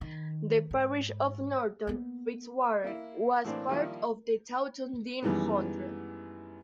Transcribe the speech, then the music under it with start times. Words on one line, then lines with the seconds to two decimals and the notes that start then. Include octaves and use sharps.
The parish of Norton Fitzwarren was part of the Taunton Deane Hundred.
0.01 D#3
0.71 G#2
1.87 A#3 B3
2.84 A#3 E4
3.44 A2 E3 A#3 C4 D4
3.69 D#3 F3 G3 A#3 E4
5.22 F#2 D#3 E3 G3 G#3 B3